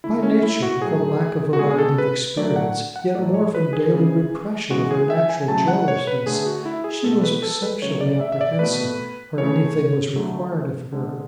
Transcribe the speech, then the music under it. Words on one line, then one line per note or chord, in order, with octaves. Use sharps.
By nature, from lack of variety of experience, yet more from daily repression of her natural joyousness, she was exceptionally apprehensive where anything was required of her.
D3 A3 E4
C#4
E4
F#4
A2 F#3 A3 G#4
F#4
B2 G#3 G#4
G#4
A4
B4
D3 F#3 A3 D5
F#5
F#5
A2 F#3 A3 D5
C#5
B4
G#4
C#3 E3 G#3
C#3 E3 G#3 F#4
G#4
E5
G#5
C#3 F#3 A3 A5
F#5
C#5
B4
D3 A3 G#4
F#4
E4
G#4
B2 G#3 A4
B4
A4
B4
C#3 F#3 A3 C#5
D5
E5
E5
D5
B2 A3 B4
C#3 E3 A3 C#5
D3 F#3 A3
D3 G#3